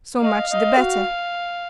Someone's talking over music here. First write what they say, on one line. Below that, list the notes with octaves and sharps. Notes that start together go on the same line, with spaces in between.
'So much the better.'
D#5 F5
D#5
F#4